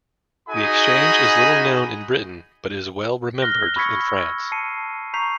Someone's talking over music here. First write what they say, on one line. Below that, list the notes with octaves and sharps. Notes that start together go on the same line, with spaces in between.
The exchange is little known in Britain, but is well remembered in France.
D#4 F#4 G#4 D#5 G#5 B5
F6 F#6 A#6 G7
B5 C#6 E6 G#6 B6 C#7
A5 C7 C#7 D#7
A#5 C#6 G6 B6 C7 F7